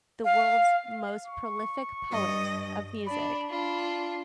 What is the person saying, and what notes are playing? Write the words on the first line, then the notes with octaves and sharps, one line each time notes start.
the world's most prolific poet of music,
F5
C#6
G2 D#5
D4 D5 B5
D4 F4